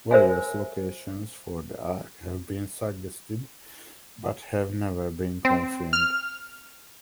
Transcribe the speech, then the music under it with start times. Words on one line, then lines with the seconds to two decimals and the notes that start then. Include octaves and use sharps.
Various locations for the ark have been suggested but have never been confirmed.
0.11 A#4 C5 E5 G#5
5.45 C4
5.93 F6